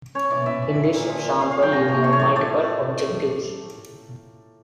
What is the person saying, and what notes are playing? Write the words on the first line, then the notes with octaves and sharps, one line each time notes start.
In this example you have multiple objectives.
C#4 C#5
E3 D5
E3 D5 E5
C#4
A#2
A#2
F3
A#2
C#4 F5
F5
F3
G5
C#4 A#5
A2
A2 C#6
C#5
A3 D5
A3 D5